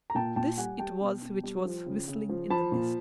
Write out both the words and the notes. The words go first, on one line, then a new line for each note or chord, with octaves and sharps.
This it was which was whistling in the mist.
A#5
A#2 G5 A5
A#2 G5 A5
G3 F#5 G#5
G3 G5 A5
B2
B2
G3
F3
C#3
C#3
F3
F3 A5 B5
A#2